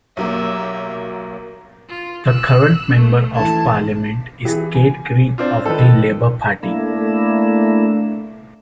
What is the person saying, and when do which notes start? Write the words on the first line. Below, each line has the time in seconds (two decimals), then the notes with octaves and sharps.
The current Member of Parliament is Kate Green of the Labour Party.
0.17 B1 F#3 A#3 G4 E5
1.89 F4
2.26 E6 F#6
2.94 A3
3.36 E3 A3 A5 G#6
4.45 E3 G4 G#4
4.75 G#5
5.38 C4 D4 F4
5.65 D#3 F3 A4 B4
6.63 A3 A#3 D4 E4